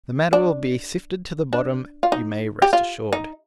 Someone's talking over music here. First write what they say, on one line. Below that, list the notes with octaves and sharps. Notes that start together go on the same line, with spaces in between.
The matter will be sifted to the bottom, you may rest assured.
D4
D4
F4
D#4
G4
F4
D#4